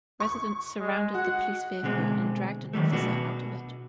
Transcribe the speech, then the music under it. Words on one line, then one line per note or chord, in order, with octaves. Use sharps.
Residents surrounded the police vehicle and dragged an officer out of it.
C#6
G#3
F#4 F#5
B2 D3 G#3 C4
D#3 F#3 G3 A3
B2 D4 F#4 B4